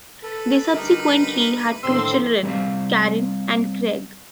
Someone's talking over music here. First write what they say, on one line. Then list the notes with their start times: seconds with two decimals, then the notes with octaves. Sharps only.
They subsequently had two children, Karen and Craig.
0.22 A4 B4
0.72 D3 G3 D#4 A#4
1.83 A2 D3 D#3 F3 C4 C6 E6
2.43 G3 C4 C5 C#5 E5 F5